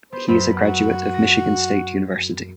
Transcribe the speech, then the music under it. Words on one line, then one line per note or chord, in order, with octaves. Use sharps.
He is a graduate of Michigan State University.
B3 C5
F#2 C5 B5 B6
F#4
A#6